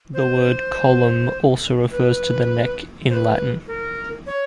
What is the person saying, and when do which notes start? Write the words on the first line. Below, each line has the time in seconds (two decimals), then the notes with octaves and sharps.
The word "collum" also refers to the neck in Latin.
0.14 C5
1.91 B4
3.09 C5
3.14 B4
3.68 A#4
4.27 C#5